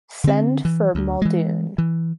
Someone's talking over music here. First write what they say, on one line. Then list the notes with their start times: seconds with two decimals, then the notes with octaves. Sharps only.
Send for Muldoon!
0.24 D3 C4
0.65 E3
0.95 D2
1.22 E3 G#3
1.78 E3